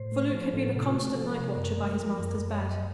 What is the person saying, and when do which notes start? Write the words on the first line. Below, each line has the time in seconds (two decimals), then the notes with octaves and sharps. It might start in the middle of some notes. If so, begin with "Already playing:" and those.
For Luke had been a constant night-watcher by his master's bed.
Already playing: A2 C5
0.12 A3
0.21 C#5
0.32 F3 C5
0.53 A2 A4
0.73 C3 A4
0.84 F4
0.94 A3 F#4
1.05 F#4
1.15 F3 A4
1.36 C3 A#4
1.56 F#2
1.78 A3
1.99 F3
2.19 F#2
2.40 F#2
2.50 C#5
2.60 F#3 D#5
2.71 D#5